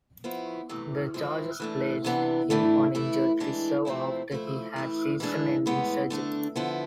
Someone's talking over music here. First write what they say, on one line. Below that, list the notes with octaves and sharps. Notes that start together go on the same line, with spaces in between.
The Chargers placed him on injured reserve after he had season-ending surgery.
F3 B3 E4
C3 E3 A3
F3 G#3 C4 E4
E3 A3 D4
C3 E3 B3 D4
A2 E3 A3 D4
E3 A3 E4
E3 G#3 D4
C3 F3 A3 C4 E4
F3 A3 E4
E3 A3 E4
E3 G#3 D4
A2 E3 G#3 B3
D3 A3 D4
D3 F3 B3 E4